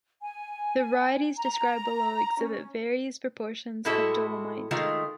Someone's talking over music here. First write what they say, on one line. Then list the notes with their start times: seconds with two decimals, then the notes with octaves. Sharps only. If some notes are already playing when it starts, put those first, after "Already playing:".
The varieties described below exhibit various proportions of dolomite.
0.22 G#5
1.37 A#5
2.40 C#4
3.85 A2 G#3 E4 F#4 A4
4.71 D#3 G#3 A3 F4